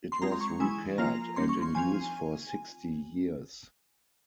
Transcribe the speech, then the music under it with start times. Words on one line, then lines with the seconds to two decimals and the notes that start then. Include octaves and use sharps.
It was repaired and in use for sixty years.
0.12 C6
0.22 G#3 C4 F4 A#5
0.32 C6
0.41 C#6
0.60 E3 G#3 E4 G#5
0.98 F3 A#3 F4 A#5
1.36 G3 A#3 C#4 C6
1.49 C#6
1.62 C6
1.75 F3 C4 F4 G#5